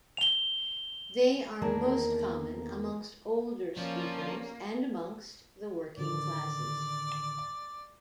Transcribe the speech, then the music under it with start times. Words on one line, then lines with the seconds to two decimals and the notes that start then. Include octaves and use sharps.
They are most common amongst older speakers and amongst the working classes.
0.17 F7 G7
1.62 E2 D#3 A#3 G#4 A#4 A5
3.77 F3 A#3 C#4 D5
5.98 A2 D3 D#3 D5